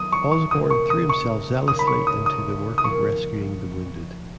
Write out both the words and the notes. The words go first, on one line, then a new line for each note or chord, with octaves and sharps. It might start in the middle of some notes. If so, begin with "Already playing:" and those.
Osborne threw himself zealously into the work of rescuing the wounded.
Already playing: D#3 F#3 B3 D#6
C#6
C#6
C#2 B2 A#3 D#6
C#6
D#6
C#6
D#2 C#3 G#3 C#4 D#6
B5
C#6
D#6
D#6
D#6
A#2 F3 A#3 F4 G#4 C#6